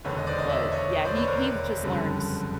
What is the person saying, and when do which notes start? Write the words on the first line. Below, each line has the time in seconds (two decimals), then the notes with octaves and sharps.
but, yeah, he he just learns
0.04 E1 D#2 D3 B4 C#5
0.18 D#5
0.27 C5 D5
0.38 C#5 D#5
0.49 D5 E5
0.71 C#5 D#5
1.05 C5 D5
1.16 B4 C#5
1.27 A#4 C5
1.38 B4 C#5
1.83 F#1 F2 D3 G3